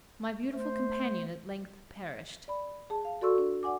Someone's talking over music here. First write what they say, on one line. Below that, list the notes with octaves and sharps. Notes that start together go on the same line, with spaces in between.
My beautiful companion at length perished.
A3 C5
D5 B5
G#4 A5
F5
F#4 A4 D5 C6 C#6 E6
D4
D5 F#5 G#5 D6